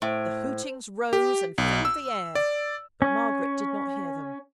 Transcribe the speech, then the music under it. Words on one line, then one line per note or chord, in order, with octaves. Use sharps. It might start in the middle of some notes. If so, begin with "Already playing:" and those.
The hootings rose and filled the air,--but Margaret did not hear them.
A2 C5
G4
B1
E6
D5
C#4